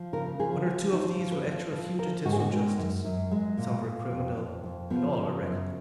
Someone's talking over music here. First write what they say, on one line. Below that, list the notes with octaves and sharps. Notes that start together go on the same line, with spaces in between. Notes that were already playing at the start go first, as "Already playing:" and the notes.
One or two of these were actual fugitives from justice, some were criminal, and all were reckless.
Already playing: F3
C#3 A#4
F3 G#4
C#3 F#4
F3 D#4
F3
B4
F3
F3 B4
F3 A#4
G#2 F#4
G#4
F#4
D#3 G#3
F#2
F#2
F#3 G#3
A#2
A#2
F2
F2
F2
F3 B3
C#3
F#2